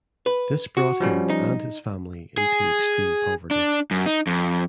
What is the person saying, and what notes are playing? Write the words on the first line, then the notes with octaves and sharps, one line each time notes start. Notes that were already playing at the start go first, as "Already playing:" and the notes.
This brought him and his family into extreme poverty.
B4
F#4
F3 G3 C#4
D#4
G#4
D4
F#2
D#4
F2